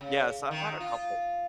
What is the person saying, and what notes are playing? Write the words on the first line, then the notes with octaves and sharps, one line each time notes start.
Yeah, so I've had a couple.
C#3
D#3
F4